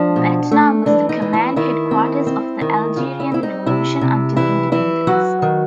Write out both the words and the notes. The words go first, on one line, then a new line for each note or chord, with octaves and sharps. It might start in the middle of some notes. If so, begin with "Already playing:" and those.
Batna was the command headquarters of the Algerian revolution until independence.
Already playing: F3 D4
B2
A3
E3 D4
D#4
E3
E4
D#3 E4
C4
C4
D#3
C#3 F4
E4
C4 E4
D#4
C3 E4
C3
E3 E4
E3 E4
F#3 F#4
D#3